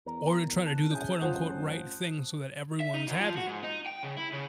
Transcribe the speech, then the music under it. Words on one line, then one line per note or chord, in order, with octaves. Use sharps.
or to try to do the quote unquote, "right thing" so that everyone's happy,
E2 A#4
A5 F#6
C#4 E4 G#4 G6
A1 F#2 C#4 F4 C5 F#5 D#6 F#6
E5
D#4
F#2
F3
F#4
G#2
D#4
G5
C#3
E4
C#3